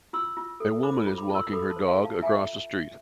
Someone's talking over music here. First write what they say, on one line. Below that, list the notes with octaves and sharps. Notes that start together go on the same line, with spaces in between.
A woman is walking her dog across a street.
F4 C6 E6
F4
A4
C5 B5 D6
F4
B5 D6
F4
C6 E6
A4 B5 D6
A5 C6
C5
F5 A5
F4
F5 A5
F4 E5 G#5